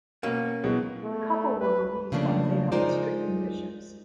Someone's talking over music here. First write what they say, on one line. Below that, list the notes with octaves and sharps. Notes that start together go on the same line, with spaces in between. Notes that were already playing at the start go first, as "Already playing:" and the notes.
The couple were released on bail with strict conditions.
B2 A#3 C#4
B2 E3 F#3 G#3
A3
B4
C#3 F3 A3 A#3 D4
G#3 D#4 F4 A#4 C5 D5